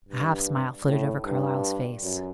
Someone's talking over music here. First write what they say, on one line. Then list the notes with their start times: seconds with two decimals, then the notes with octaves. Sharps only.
A half smile flitted over Carlyle's face.
0.09 G2
0.87 A2
1.25 G2
2.03 F#2